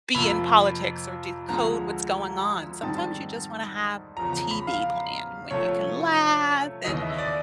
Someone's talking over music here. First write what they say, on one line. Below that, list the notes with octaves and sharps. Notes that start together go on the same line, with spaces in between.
be in politics or decode what's going on, sometimes you just wanna have TV playing when you can laugh and
F2 C3 F3 A#3 B5
D2 D3 F3 G#3 A#5
G#2 D#3 G3 C4 D#4 A5
E2 C#3 F3 A#5
A#5
B5
F5
C3 F3 A3 C#4 C#5
D#2 C#3 E3 D#5
E5
D5